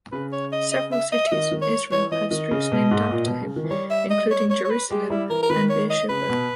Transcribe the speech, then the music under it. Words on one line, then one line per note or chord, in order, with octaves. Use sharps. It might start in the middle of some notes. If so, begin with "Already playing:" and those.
Several cities in Israel have streets named after him, including Jerusalem and Beersheba.
C#3 B4
C#5
D#5
D#5
E5
D#5
E5
D#3 D#5
D#3
C#5
E3 C#5
E3 D#5
D#3 D#5
C#3
B2
G#2
A#2
B2
C#3
D#3
E3
G3 C#5
E5
D#5
C#5
C#5
C#5
B4
G#3 G4
G3 E4
E3 A#4
A#4
D#3 B4
C#5
D#5
C#3 B4
B2